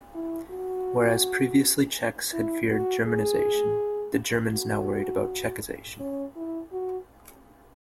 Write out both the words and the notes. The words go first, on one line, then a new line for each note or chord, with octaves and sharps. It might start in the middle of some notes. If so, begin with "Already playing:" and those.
Whereas previously Czechs had feared Germanization, the Germans now worried about Czechization.
E4
F#4
E4
F#4
G#4
F#4
C#4
E4
F#4